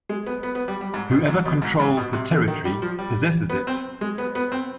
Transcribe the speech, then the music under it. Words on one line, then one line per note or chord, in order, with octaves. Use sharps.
'Whoever controls the territory possesses it.
G#3
B3
B3
B3
G3
G3
G#2
B2
G#2
B2
G#2
G#2
B2
C3
D3
D#3
G3
F3
G3
B3
C4
G#3
B3
B3
C4